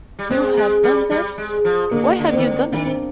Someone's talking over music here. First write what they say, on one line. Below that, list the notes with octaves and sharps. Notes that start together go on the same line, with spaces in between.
You have done this? Why have you done it?
G3
G#3 C4
G#3
G3
G3
G#3
F3
D3 A#3
D3
D#3 C4
D3
D#3 D4
C4